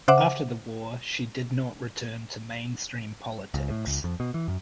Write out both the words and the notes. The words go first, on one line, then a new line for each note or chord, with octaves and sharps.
After the war she did not return to mainstream politics.
C#3 C5 E5 F#5 D6
C#2
A2
C#2
F2
B2
E3
F#2